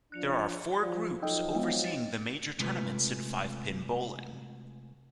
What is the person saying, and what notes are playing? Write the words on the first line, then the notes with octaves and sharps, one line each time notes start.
There are four groups overseeing the major tournaments in five pin bowling.
F3 D4 F#6 C#7 F7
F3 D5
F3 F#3 D#4 A4 D#5 G5 E6
G#3 B3
A6
C3 G#3 A3 F4 B4